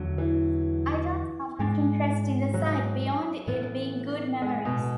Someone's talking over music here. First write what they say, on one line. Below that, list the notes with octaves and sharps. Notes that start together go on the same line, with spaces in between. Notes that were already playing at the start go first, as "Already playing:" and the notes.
I don't have much interest in the site beyond it being good memories.
Already playing: E2 D3 F#3
E3
G#2 G#3 D4
F#3
A2 E3 B3
G#3
B2